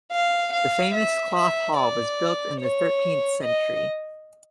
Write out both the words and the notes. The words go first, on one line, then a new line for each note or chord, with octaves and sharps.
The famous Cloth Hall was built in the thirteenth century.
F5
F5
E5
E5
D5
C#5
D#5